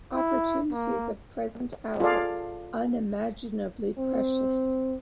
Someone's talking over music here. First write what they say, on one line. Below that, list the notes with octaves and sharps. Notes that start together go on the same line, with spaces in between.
Opportunities of present hour unimaginably precious.
E4
A#3
F4 G#4 A4 D5 F5
C4